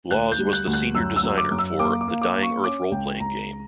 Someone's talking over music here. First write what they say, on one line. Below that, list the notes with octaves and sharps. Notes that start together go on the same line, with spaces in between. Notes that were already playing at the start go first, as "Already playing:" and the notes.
Laws was the senior designer for "The Dying Earth Roleplaying Game".
D2 F#6
G6
G3
F#6
D2
F#6
F#2 E6
E6
F#2
D6
F#2
E6
A#3 D6
D6
A#3
D6
A#3
C#6
C#4 D6
C#2 G5
C#2 A#5